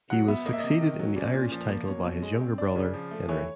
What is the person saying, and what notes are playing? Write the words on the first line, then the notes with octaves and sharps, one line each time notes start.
He was succeeded in the Irish title by his younger brother, Henry.
F#3 F#5
B3 E5
A#3 D#5
E5
C3 D#5
D#3
F#3
C#4 D5
A#2
F3
A#3
B2 C#5
B2
G#3
C4
D4 D5
C#3
F3
A3
E3 C#5